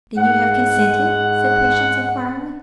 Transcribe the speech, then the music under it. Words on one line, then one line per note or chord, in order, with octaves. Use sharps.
"Then you have consented?" said Patience, inquiringly.
G#2 F#5